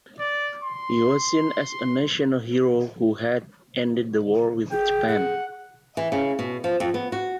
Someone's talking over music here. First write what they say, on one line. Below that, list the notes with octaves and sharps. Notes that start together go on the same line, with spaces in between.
He was seen as a national hero who had ended the war with Japan.
D5
C6
G#4 G5
G#4 F#5
E3
C#3
B2
F3
F2
B3
F#4